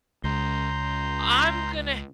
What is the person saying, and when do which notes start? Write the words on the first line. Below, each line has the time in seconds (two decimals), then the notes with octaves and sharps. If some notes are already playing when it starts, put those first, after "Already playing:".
I'm gonna
0.24 C#2 A#5 C6 G6